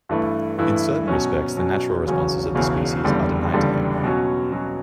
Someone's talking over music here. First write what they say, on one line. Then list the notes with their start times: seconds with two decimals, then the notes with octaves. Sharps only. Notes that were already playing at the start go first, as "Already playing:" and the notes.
In certain respects the natural responses of the species are denied to him.
0.09 G2 E3 A3 E4
0.58 G2 E3 A3 E4
1.08 B2 F#3 C#4
1.57 B2 F#3 C#4
2.06 E1 E2 C#3 F#3 C#4
2.55 E1 E2 C#3 F#3 C#4
3.04 F#1 E2 D3 G3
3.54 F#1 E2 D3 G3
4.04 B2 F#3 C#4
4.52 B2 F#3 C#4